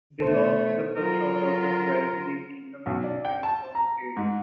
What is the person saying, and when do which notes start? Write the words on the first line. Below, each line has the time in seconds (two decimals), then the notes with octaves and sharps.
They lost in the first round of the Horizon League Tournament to Youngstown State.
0.21 B2 A3 A4 C5 C#5
0.96 F#3 F4 A#4
2.86 B1
3.04 D5
3.25 G5
3.43 A5
3.75 A#5
4.16 G#2